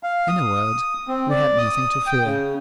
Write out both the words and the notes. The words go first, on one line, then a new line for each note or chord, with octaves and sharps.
In a word, we had nothing to fear.
F5
D#6
C4
D5
D#6
G5
C#3